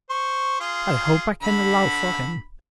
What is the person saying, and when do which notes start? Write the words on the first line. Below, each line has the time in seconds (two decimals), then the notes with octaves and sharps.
I hope I can allow for him.
0.10 C5 C#6
0.60 F4 G#4
1.43 D3 B5